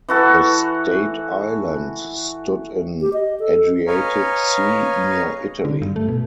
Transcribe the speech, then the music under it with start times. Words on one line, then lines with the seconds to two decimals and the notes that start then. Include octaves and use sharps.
The state island stood in Adriatic Sea near Italy.
0.09 E3 F#4 A4
3.01 G4
3.13 D#5
3.40 A4
3.87 B4 C#5 D#5 F5 G#5 A#5
5.65 D3
5.82 G2
5.96 A3
6.08 B2